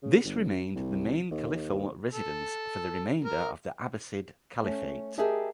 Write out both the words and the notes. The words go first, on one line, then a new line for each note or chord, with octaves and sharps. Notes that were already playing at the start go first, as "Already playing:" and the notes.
This remained the main caliphal residence for the remainder of the Abbasid Caliphate.
C#3
G1
F#2
C2
D#2
D#2
A4
A#4
A3 C#4
G4 G#4 A#4 D#5 E5 A5